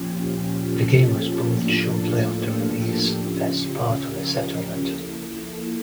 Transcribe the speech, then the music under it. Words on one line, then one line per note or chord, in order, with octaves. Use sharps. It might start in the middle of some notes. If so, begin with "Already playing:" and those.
The game was pulled shortly after release as part of the settlement.
Already playing: A#2 F3 C#4 F4 G4
A4
A2 F3 A#3 D4 F4 A4
G4
A4
C#3 F3 C#4 F4 G4
G4
G4 A#4
F3 A#3 E4 A4
A4